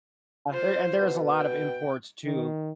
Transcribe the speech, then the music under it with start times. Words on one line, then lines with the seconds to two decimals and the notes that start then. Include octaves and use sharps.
there and there's a lot of imports too.
0.50 F4 C5
0.99 B2
1.38 G5
2.25 D#3